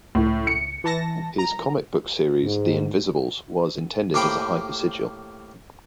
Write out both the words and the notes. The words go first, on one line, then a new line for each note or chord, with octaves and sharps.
His comic book series "The Invisibles" was intended as a hypersigil.
C#2 A2
C#7
E3 A5 A#6
A#5
G#2
A2 A#3 G4 C5 G5 B5